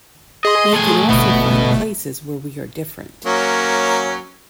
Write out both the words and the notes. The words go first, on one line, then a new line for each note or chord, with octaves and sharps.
You can also find places where we are different.
G#4 D#5 C6
A3 G#5
G1 B2 A3 B3
F#3 A#3 C#4